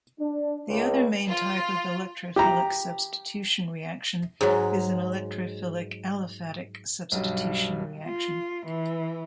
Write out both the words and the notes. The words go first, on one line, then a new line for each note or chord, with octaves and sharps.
The other main type of electrophilic substitution reaction is an electrophilic aliphatic substitution reaction.
D4
C#2
F4
G4 A#5
G#2 F#3
B1 G2
F4
E3